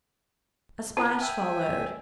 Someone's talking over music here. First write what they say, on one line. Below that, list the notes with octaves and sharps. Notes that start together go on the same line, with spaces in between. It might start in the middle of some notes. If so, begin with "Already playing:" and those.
A splash followed.
A#4 A5 A#5
E5 G5 G#5